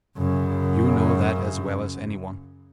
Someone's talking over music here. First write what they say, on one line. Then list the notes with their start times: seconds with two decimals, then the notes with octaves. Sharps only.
You know that as well as any one.
0.17 F#2 C#3